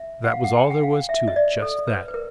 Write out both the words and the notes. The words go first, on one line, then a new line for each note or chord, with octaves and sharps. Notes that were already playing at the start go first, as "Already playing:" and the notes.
That was all there was to it--just that!
Already playing: E5
F#5
F5
F#5
G#5
G5
F#5
F5
E5
D#5
D5
A4
B4
B4
A#4